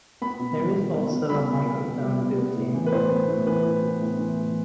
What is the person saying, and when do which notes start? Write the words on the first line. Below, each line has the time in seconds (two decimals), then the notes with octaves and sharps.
There is also a microphone built in.
0.21 B3 B5
0.39 B2
0.57 G3
0.76 B2
0.93 B3
1.12 B2
1.29 G3 B5
1.48 B2
1.66 B3
1.84 B2
2.02 G3
2.20 B2
2.38 B3
2.56 A2
2.74 E3
2.86 B4
2.92 A2 C5
3.10 B3
3.28 A2
3.47 E3 B4
3.64 A2
3.83 B3
4.01 A2
4.19 E3
4.36 A2